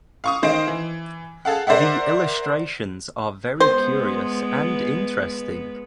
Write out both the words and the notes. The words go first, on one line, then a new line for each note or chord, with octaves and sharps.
The illustrations are very curious and interesting.
F5 C#6 D#6
D#3 C5 D#5 F5 D7
E3
G#4 A4 F5 F#5
A#4 C5 D5 E5 F#5
G#3 B3 C5